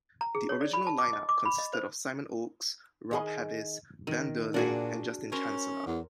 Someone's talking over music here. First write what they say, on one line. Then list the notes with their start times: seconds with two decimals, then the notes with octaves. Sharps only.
The original line-up consisted of Simon Oakes, Rob Havis, Ben Durling and Justin Chancellor.
0.21 A#5
0.35 G#4
0.49 C#5
0.61 D5
0.73 B5
0.87 A5
0.98 D6
1.13 D#5
1.29 D6
1.45 B5
1.58 D#5
1.73 C5
3.11 D#3 G#4 D#5
4.07 D#3
4.54 A#2 D4 F#4 G#4
5.32 C#4 A#4 C5 C#5
5.87 E2